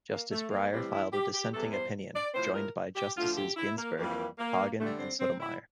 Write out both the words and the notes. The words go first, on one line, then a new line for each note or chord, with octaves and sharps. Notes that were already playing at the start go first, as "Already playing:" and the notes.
Justice Breyer filed a dissenting opinion, joined by Justices Ginsburg, Kagan and Sotomayor.
A#3
A3
A#3
A2 E3 G3 C4
E4
G4
G4
E2 E3 G3 A4
C5
D5
A2 F3 C5
A#4
G4
D2 D3 F3 F4
G4
E4
A#3
F2 E3 G3 A#3
A#3
G2 D3 G3 A3
C4
C4
E4